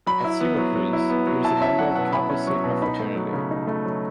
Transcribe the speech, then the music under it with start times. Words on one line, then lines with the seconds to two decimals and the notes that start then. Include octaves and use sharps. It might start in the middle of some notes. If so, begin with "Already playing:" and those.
At Syracuse, he was a member of Kappa Sigma Fraternity.
0.06 F#3 B5
0.24 E4
0.40 B3
0.58 F#3
0.76 F#3
0.93 E4
1.10 B3
1.27 F#3
1.44 E4 A5
1.61 C#4 E5
1.79 F#3 F#5
1.95 B2 F#5
2.12 E4 B5
2.29 C#4
2.47 F#3 C#6
2.64 B2
2.82 D#4 B5
2.99 A3
3.16 F#3
3.33 C#3
3.51 D#4
3.67 A3
3.85 F#3